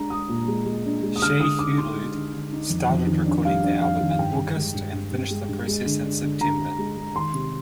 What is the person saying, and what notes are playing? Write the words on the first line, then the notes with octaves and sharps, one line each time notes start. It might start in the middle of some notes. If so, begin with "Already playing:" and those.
Shai Hulud started recording the album in August and finished the process in September.
Already playing: G#3 D4 A#5
G#3 D#6
A#2
G#3
G#3
D4
G#3
D#6
D3 F6
D3 D#6
D#4 D6
D#4 C6
G#3
D3
D3
D#4
F2
F2
D#3
D4
G3 F5
D4
F2 F5
D#3
F5
G2 G5
G2
G#3
G2
G2
G2
G#3
G2
G#3
D3
D4
D3
D3 A#5
D3
G#3
G#3
D#3 C6
C3